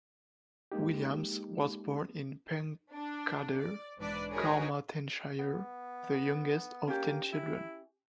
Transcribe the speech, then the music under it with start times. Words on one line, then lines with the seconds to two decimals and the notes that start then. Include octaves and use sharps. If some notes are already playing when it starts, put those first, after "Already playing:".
Williams was born in Pencader, Carmarthenshire, the youngest of ten children.
0.72 G#3 A#3 D#4 G4
2.94 D4
3.61 D5
3.98 B1 G#2 E3 D4 B4 D5
4.31 D#4 F#4 G#4 A#4 B4 C#5
5.39 B3
6.87 A#3 C#4 G4
7.33 E4